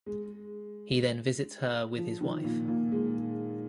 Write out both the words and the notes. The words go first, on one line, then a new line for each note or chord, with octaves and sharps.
He then visits her with his wife.
G#3
F3
D#3
A#2
A#2
G#3